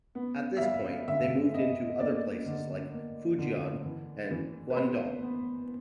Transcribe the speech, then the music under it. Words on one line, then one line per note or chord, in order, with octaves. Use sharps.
At this point they moved into other places like Fujian and Guangdong.
B3
E5
G3 F5
D3 E5
B3 D#5
A#3 D5
D#5
D5
D3
A#3
D3
E3
E3
B4
B3 C5
B3